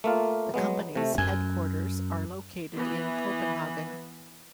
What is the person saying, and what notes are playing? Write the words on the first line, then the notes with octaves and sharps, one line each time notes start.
The company's headquarters are located in Copenhagen.
A3 A#3 F4
F#3 G#3 B3
C3 A3
F#2 G#5
E3 B3